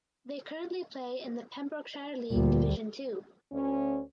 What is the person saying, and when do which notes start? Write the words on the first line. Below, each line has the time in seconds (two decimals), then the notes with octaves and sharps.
They currently play in the Pembrokeshire League Division Two.
2.32 D2 A#2 G3
3.52 D2 C#4